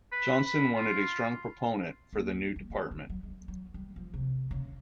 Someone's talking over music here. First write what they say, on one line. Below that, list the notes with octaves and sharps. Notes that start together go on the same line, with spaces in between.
Johnson wanted a strong proponent for the new department.
B4
B5
F4
D#2
G3
G#3
D2
F#3
G#3
F#3
G3
F3
C3
C#3